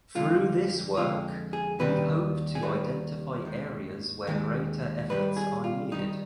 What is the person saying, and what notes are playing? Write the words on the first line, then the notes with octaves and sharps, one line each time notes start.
Through this work, we hope to identify areas where greater efforts are needed.
F2 D3 G#3 F4
F2 D3 G#3 F4
G#4
D#2 D#3 G3 B4
G#4
D#2 D#3 G3 B4
D#2 D#3 G#3
D#2 D#3 G#3
G2 D#3 G3 B4
G#4
F4
G2 D#3 G3 D#4